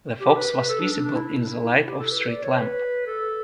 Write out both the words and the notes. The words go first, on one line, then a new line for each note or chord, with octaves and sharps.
The fox was visible in the light of the street lamp.
G4
B4
B4
A4
D4
D4
D4
E4
E4
E4
G4
A4
B4
D5
C#5
B4
A4